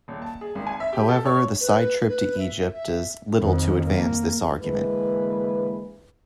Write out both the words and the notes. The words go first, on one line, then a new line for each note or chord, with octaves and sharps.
However, the side trip to Egypt does little to advance this argument.
D#1
A5
G#4
G#1
G#5
E5
G4
A4
C#5
B4
B4
E5
E5
F2 D#3
A#3
D3 E3 G#3 A#3 B4